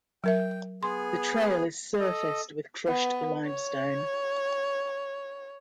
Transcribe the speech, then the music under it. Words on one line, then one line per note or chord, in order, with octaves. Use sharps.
The trail is surfaced with crushed limestone.
F#3 A#4 E5 G5
B3 G#4 C6
A4 D#5
B3
C#5